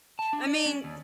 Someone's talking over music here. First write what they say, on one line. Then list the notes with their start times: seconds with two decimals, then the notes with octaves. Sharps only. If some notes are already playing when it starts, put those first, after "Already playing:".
I mean,
0.19 A5
0.33 D4
0.47 D5
0.66 C#4
0.84 D#2